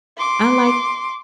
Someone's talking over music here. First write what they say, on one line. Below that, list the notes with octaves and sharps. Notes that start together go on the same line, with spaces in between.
I like
C6 D6